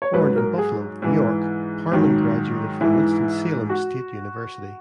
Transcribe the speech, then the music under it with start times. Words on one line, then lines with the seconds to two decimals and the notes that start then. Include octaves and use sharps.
Born in Buffalo, New York, Parmon graduated from Winston-Salem State University.
0.02 C#5
0.13 G#2 F#3 B4
0.36 A#4
0.58 G#4
1.02 G#2 E3
1.92 G#2 D#3 F#3
2.81 G#2 E3 E4
3.69 F#4